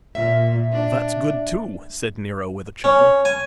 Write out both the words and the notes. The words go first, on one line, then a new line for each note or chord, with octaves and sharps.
"That's good too," said Nero, with a chuckle.
A#2 E5
D4
C#4
G#5